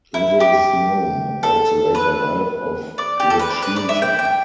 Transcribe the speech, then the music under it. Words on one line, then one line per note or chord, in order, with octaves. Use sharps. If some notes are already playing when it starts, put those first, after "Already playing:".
Little is known about the later life of Richeza.
E4
G4
A4
B4
D5
G4
A4
B4
D5
B4
D5
E5
G5
G5